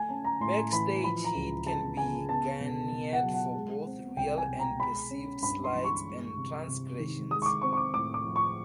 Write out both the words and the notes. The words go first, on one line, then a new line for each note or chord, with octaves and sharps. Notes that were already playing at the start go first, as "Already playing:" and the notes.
Backstage heat can be garnered for both real and perceived slights and transgressions.
Already playing: A3 G#5
C#4 A5
A#5
A2 C6
E3 B5
F3 B5
A#5
C#2
C#2 A5
C#3 G#5
B3 A5
B2
B2
F#5
F#3
F#5
G#3
C4
C2 G5
G#5
B2
A#5
G#3 B5
C#4
G2 B5
C6
E3
C#6
G#3
C3
C3
D#3
G#3 D#6
C#6
D6
C4 C#6
C#6
D6
A2 D6
D6
F3
C#6